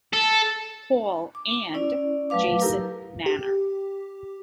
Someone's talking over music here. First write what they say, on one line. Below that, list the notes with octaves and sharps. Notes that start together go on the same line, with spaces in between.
Hall" and "Jason Manor.
A4
D6
C#4 E4 D5
F#3 A3 B4 F5 D6
D#4 E4 G4 A4 A#4 A#5
G4